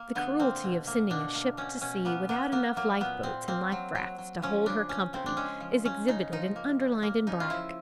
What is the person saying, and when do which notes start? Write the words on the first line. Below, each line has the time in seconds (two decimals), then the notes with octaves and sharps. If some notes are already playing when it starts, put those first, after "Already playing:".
The cruelty of sending a ship to sea without enough life-boats and life-rafts to hold her company is exhibited and underlined in black.
Already playing: A#3
0.15 D3 B3
0.40 A#3 C4
0.63 B2
0.87 A#3
1.10 B2 D4
1.35 A#3
1.57 B2 C#4
1.81 B2 C#4
2.05 A#3 B3
2.29 A#3 B3
2.52 A#3 B3
2.76 F#3 A#3
3.00 A#2 B3
3.23 A#2 C4
3.48 A#3 C4
3.72 F#3
3.95 F#3
4.18 F#3
4.42 F3 C#4
4.66 C#3 D4
4.89 C#3 C#4
5.13 C#3 C4
5.26 D4
5.37 G#3 C#4
5.60 F3
5.84 C#3 C#4
6.08 C#3 D#4
6.32 F3 D#4
6.56 A#3
6.80 C#3
7.03 A#3
7.27 C#3 D#4
7.40 F4
7.50 F3 E4